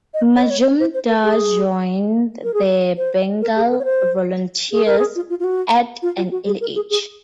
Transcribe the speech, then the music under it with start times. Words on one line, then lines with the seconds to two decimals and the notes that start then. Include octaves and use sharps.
Majumdar joined the Bengal Volunteers at an early age.
0.14 D#5
0.36 C#5
0.43 D#5
0.50 C#5
0.80 C5
0.94 C5
1.09 A#4
1.23 G#4
2.44 A#4
2.54 G#4
2.97 C5
3.42 A#4
3.56 G#4
3.70 A#4
3.79 C#5
3.84 C5
4.72 G#4
4.85 A#4
4.99 G#4
5.15 F4
5.30 F4
5.40 F4
5.44 F#4
6.02 F4
6.18 F4
6.31 F#4
6.46 G#4
6.61 A#4
6.75 G#4
6.90 G#4